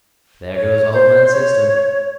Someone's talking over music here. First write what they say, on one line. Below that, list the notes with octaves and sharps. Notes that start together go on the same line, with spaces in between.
"There goes old man System!"
C#5
C5
C#5